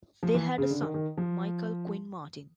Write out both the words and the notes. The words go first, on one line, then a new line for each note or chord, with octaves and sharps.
They had a son, Michael Quinn Martin.
F3
E3
C#3
D3
D#3
D#3
F3